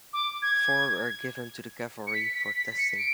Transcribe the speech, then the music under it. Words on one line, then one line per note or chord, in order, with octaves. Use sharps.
Four were given to the cavalry for testing.
D6
G#6
C#7
B6
B6
B6
B6
C#7
D7